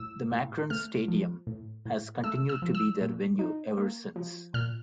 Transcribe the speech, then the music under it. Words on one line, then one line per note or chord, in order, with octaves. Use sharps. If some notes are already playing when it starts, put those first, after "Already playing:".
The Macron Stadium has continued to be their venue ever since.
Already playing: A2 E6
A2
A3 F6
F3
A2
A2
A3 E6
E6
F3
E6
A#2
D#4
A#3
F3
A#2 F6